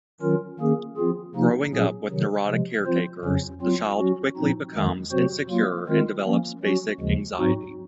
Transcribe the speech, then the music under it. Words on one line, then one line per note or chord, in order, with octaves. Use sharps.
Growing up with neurotic caretakers, the child quickly becomes insecure and develops basic anxiety.
D#3 F#3 C#4 F4 A#4
D#3 A#3 C#4 G#4
F3 C4 F4 G#4
C3 F3 A#3 D#4
A#2 F#3 C#4 G#4
C3 D#3 F#3
C3 F3 G#3
F3 C4 F4 C5
F2 C#3 F#3 C#4
F#3 C4 F4
F#3 C#4 F#4
A#2 F3 C4 D#4
F2 D#3 G#3
C3 F#3 C4 F#4 C5
F#3 A#3 F4
D#3 G#3 C4 F4 A#4
F3 A#3 C#4
F#3 C#4 F#4
D#2 C#3 F3 G#3
G#2 F#3 C4 D#4 F#4